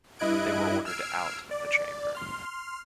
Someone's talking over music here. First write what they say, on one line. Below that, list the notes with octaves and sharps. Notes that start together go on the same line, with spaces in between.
They were ordered out of the chamber.
G2 E4 D#5 F#6 G#6 D7
E6 F6 G#6 C7 D7
D5
C6 F6